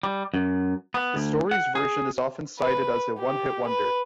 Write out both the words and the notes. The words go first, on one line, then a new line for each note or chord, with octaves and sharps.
The Stories version is often cited as a "one hit wonder".
G3
F#2
B3
D2
F#5
G#4
B4
G4
B4